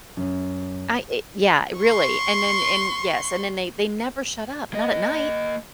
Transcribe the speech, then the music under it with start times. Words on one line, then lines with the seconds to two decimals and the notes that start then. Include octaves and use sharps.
I eh yeah, really, and, then and yes. And then they they never shut up, not at night.
0.17 F#2
1.79 C6 C#6
4.73 A#3 D#5